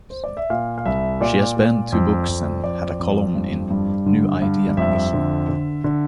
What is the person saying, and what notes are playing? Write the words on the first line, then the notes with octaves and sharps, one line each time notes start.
She has penned two books and had a column in "New Idea" magazine.
C5
D5
E5
A#2 F5
F5
C2 E5
A#2 D5
A#2
F2
F2
F2 D5
F2
G2
G2
D3
G2
F2 E5
D3
D3
D3